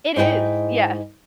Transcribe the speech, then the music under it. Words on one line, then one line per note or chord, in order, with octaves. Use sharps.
It is, yes,
G#2 D#4 E4 A#4 G5